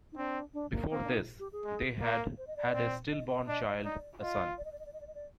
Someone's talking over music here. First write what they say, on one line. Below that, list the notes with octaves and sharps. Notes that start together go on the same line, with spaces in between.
Before this, they had had a stillborn child, a son.
D#4
C4 D4
D4
A#3
A#3 C4
D4
D#4
G4
G#4
G#3
A#3 A#4
C5
D#5
D5
C4
D#5
D#5
D4 D#5
D#5
D#4 D5
F4 D#5
D5
D#5
D5
D#5
D5
D#5
D5
D#5
D5